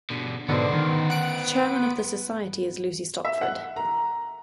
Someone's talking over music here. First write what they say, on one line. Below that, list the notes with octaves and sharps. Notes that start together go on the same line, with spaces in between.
The chairman of the society is Lucy Stopford.
B2 D3
G#2 B2 D3 B3 C5
D#3
F#5 D7
E5
F#5
A#5